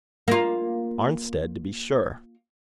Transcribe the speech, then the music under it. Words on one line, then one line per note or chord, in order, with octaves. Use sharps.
"Arnstead, to be sure."
A#3 F4